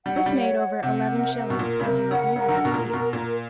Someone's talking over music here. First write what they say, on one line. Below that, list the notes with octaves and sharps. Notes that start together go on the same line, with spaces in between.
This made over eleven shillings, as you will easily see.
G3 F#5
F#3
G3
C#5
F#5
C3 F#5
A#4
A#4
B2
A#2 A#4
C#3
C3 A#4
C#3 F#5
C#3 A#4
D#3
D3
B2 A#4
A#2
A#4
B2
A#2 A#4